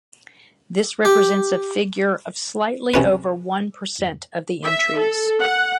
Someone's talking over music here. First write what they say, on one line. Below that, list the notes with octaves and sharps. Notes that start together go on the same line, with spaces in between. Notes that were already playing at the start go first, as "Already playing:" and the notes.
This represents a figure of slightly over one percent of the entries.
G4
C3 C#4 B4
E5
A4
F#5